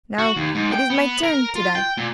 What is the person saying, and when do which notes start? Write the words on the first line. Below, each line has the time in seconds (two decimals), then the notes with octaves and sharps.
'Now it is my turn to die.
0.19 F#4
0.36 D#2
0.55 G#2
0.72 G5
0.90 B3
1.23 A#4
1.56 F4
1.75 G5
1.97 A#2